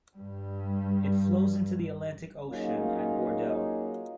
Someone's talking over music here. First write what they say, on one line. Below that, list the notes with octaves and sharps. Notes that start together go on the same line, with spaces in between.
It flows into the Atlantic Ocean at Bordeaux.
G2 G3
F#3 A#3 C#4 D#4 F4 G#4